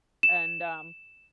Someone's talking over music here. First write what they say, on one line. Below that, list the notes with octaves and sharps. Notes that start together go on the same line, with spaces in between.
and, um
E7